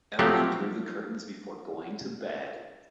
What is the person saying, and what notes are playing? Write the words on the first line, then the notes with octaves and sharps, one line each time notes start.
Evelyn drew the curtains before going to bed.
F3 F#3 A3 C4 G4